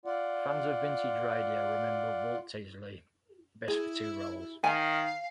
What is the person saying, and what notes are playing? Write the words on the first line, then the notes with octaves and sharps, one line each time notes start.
Fans of vintage radio remember Walter Tetley best for two roles.
F4 D5 F#5
E4 G#4
D#3 F5 G#5